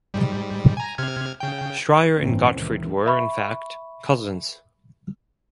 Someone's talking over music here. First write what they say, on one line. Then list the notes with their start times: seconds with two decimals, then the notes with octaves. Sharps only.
Shreyer and Gottfried were, in fact, cousins.
0.14 G#2 G3
0.77 G#5 A#5
0.98 C3 F6 G#6
1.40 C#3 G5
2.16 G1 A2 E3 A#3 C4 C#4
2.54 C#2 A#2 D#3 E3
3.06 E5 B5 C#6